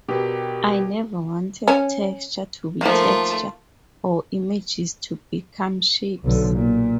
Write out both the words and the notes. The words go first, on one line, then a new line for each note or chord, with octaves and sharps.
I never wanted texture to be texture, or images to become shapes.
B2 D4 G4 A#4
C#4
D#3 F3 A3 A#3 F4
B1 D3
A#2